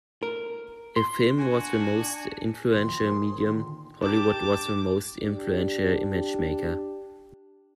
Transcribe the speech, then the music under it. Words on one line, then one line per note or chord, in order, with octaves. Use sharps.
If film was the most influential medium, Hollywood was the most influential image maker.
A#4
C6
D4 F#4 G#5
D#2 B2 C6
F2
G#4 A#4 C5
A#2 D3 D#3
D4 G4 A#4 A5 D6 G6
D4 G4